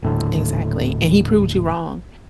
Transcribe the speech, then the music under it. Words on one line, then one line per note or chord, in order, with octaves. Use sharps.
Exactly, and he proved you wrong,
D#1 A2 D3